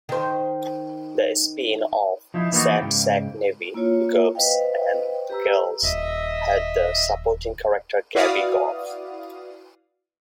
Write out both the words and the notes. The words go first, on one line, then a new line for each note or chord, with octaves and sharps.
The spin-off "Sad Sack Navy, Gobs 'n' Gals" had the supporting character Gabby Gob.
D#3 C5
F3 D#4 E4
E3 A#3 D#4 F4 F#4
G#2 C#3 G5
A#3 E4 F4 C#5
B4 C5 D#5 F5 G5
G4 B4 A#5 E6
D#1 D#5 E5
E4 F#4 B4 D5 F5 D#6